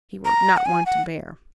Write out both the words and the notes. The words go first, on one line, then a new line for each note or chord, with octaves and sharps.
He were not one to bear.'
A#5
F#5
G#5
F#5